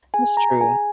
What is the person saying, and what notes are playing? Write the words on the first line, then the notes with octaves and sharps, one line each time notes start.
That's true.
G#4 G#5
A#5
G#4 G#5